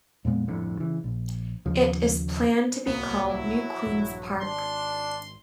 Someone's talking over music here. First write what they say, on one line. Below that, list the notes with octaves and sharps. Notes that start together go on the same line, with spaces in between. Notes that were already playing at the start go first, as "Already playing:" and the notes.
It is planned to be called New Queens Park.
F2 A#2 G#3 B3
G1 F2 A2 D3
C#3 E3
A#1
D#2 C#3 F3
D1 C2 F#3 A#3 B3
E4
A#1 G2
G#1 D4 C6